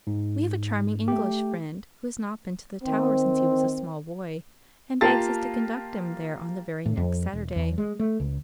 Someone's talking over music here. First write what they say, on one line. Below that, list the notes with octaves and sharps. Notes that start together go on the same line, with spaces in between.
We have a charming English friend who has not been to the Tower since he was a small boy, and begs us to conduct him there on the very next Saturday.
G#2
A3 G4
D#3 C4
A#3 F4 G4 F5 A5 A6
A2
F2
E1
E2
G#3
A3
C#2